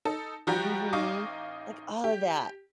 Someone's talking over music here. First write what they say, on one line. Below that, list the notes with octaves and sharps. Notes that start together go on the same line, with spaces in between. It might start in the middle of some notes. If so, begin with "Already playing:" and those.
Mhm. Like, all of that.
D#4 A4
F3 G3 F#4 G4 G5 A#5
A1 D#4 F5 C#6 D6
G4